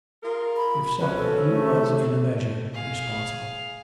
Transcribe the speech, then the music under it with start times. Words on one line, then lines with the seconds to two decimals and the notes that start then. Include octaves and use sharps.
If so, he was in a measure responsible.
0.22 F4 G#4 A#4
0.56 B5
0.99 F3 F#3 C#4 B4
1.17 A4
1.48 A3
2.74 G#4 F5